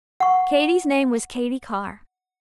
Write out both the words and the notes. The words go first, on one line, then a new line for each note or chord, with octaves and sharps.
Katy's name was Katy Carr.
F#5 C#6